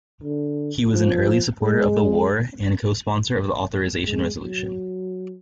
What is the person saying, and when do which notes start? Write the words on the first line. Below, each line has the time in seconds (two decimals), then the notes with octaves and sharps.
He was an early supporter of the war, and cosponsor of the authorization resolution.
0.23 D3
0.92 F3
1.61 G#3
4.05 G#3
4.40 F#3